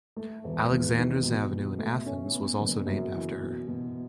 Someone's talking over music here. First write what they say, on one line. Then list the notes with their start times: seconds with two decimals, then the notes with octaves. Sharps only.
Alexandras Avenue in Athens was also named after her.
0.17 A3
0.44 E1
0.71 E2
0.98 D#3
1.25 B2
1.52 B2
1.79 A3
2.06 C#4
2.33 B3
2.60 F#1
2.87 F#2
3.14 E3
3.41 B2
3.68 B2